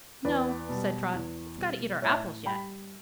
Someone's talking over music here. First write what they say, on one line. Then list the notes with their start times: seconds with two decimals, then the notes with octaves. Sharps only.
"No," said Trot; "we've got to eat our apples yet."
0.25 E2 B4 D5
0.69 B2 G3
1.14 E2
1.58 B2 G3
2.02 A2 C#5 E5
2.46 G3 G5 B5